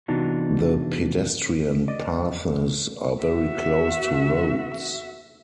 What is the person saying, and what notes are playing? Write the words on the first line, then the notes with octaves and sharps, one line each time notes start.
The pedestrian paths are very close to roads.
C3 E3 B3 D4 D#4 F#4
D5 D#5
F#4 E5